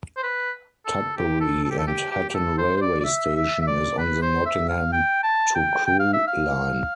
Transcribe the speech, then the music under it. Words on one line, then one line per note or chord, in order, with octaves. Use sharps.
Tutbury and Hatton railway station is on the Nottingham to Crewe line.
C5
B4
A4
G4
A4
A4
G4
A4
G4
G4
G4
A4
C5
C5
D5
D5
E5
E5
E5
D5
B4
C5
E5
F5
G5
A5
G5
G5
F5
E5
F5